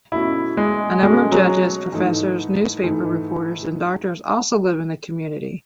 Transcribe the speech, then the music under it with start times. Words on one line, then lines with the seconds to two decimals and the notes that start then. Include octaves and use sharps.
A number of judges, professors, newspaper reporters, and doctors also live in the community.
0.12 B2 A3 C#4 E4 F#4
0.57 G#3
1.02 B2 G#3 A3 C#4 F#4
1.32 F#3
1.92 G#2 E3 A3 D#4
2.83 G#2 E3 A3 D#4